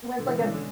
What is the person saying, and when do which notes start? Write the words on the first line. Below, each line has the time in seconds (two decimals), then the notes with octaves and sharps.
When it's, like, a
0.18 B2 D3
0.27 E3
0.37 D3
0.41 E3 G#3 C#4 G#4 D5
0.54 D3